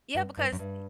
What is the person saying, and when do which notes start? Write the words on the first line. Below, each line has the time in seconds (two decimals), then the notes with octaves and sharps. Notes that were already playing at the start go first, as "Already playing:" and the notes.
Yeah, because y
0.15 G2
0.37 G2
0.53 F#2
0.59 G2